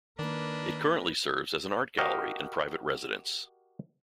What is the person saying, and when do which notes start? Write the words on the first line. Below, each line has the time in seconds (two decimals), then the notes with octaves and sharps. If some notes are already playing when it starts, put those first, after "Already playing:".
It currently serves as an art gallery and private residence.
0.19 D#3 A#3 D4 B4 D#5
1.98 F#4 G4 A#4 D#5 F5